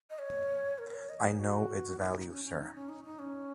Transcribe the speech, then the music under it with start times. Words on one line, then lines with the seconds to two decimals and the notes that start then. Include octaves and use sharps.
I know its value, sir.
0.10 D#5
0.19 C#5
0.78 A#4
0.89 A#4
0.94 C#5
1.09 D#5
1.24 G#4
1.39 F#4
1.99 D#4
2.15 D#4
2.29 C#4
2.45 C#4
2.60 D#4
2.75 C#4
2.89 D#4
3.04 D#4
3.19 C#4